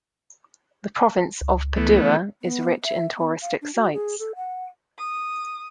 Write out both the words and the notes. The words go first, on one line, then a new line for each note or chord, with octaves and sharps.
The province of Padua is rich in touristic sites.
C#2
E3 A3 B3
B3
E5
B3
F5
D4
F#4
G#4
A4
F#5
D#6